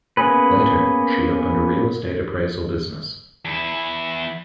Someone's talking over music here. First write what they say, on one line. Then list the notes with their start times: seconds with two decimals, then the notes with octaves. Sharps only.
Later, she opened a real estate appraisal business.
0.17 A#3 B3 C#4 G#4 B4
3.45 E2 E4